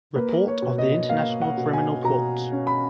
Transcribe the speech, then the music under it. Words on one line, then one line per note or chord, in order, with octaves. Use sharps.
Report of the International Criminal Court.
A#3 B4
C#5
B2
D#5
A#3 F5
F#5
B2
G#5
B2 A#5
C#4
B5